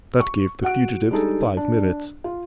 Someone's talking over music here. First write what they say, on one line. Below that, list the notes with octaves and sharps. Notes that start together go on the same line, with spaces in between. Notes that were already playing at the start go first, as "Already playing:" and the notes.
That gave the fugitives five minutes.
C#6
F#4 F#5 D7
G3 G#3 D4 D#4 G#4 A4
D4
F4